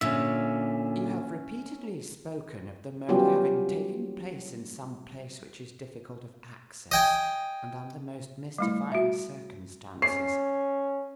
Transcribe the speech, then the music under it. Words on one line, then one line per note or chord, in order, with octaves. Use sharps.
You have repeatedly spoken of the murder having taken place in some place which is difficult of access and under most mystifying circumstances.
A#2 D3 C#4 E5
F#3 G3 B3 C#4 F4 G4
D#5 G5 G#5
G3 A3 E4
F#4 E5
C#4 C7